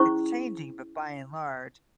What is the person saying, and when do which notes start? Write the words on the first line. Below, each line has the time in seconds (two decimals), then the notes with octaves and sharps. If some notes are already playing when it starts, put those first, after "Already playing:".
it's changing, but by and large,
Already playing: C#4 E4 G#4 C5 C#6